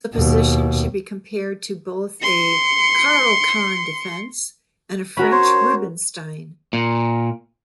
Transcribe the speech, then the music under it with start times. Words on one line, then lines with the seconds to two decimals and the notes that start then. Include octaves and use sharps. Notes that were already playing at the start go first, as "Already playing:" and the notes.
The position should be compared to both a Caro-Kann Defense and a French Rubinstein.
0.14 D#2 B2
2.22 C6 C#7
5.17 C#4 F#4 A#4 B5
5.32 C5 C#5
6.73 A#2